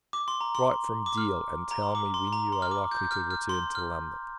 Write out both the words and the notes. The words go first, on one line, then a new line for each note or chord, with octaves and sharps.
Write from Deal, and tell me when you are likely to return to London.
D6
C6
A#5
C6
D6
F6
A#5
C6
D6
C6
C6
A#5
C6
F6
D6
G6
F6
F6
C6
F6